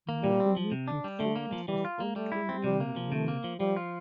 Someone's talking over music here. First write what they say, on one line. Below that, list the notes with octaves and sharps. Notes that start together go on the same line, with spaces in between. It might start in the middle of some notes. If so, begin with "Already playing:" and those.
My immediate focus is on clearing my name.
A#3
A#2 G3
C4
F3
C3
D4
G3
D3 A3
A#3
F3
E3 G3
F4
A#3
G3 A3
E4
C4
C3 G3
A#3
F3
C3 A3
A#3
F3
F3 G3
F4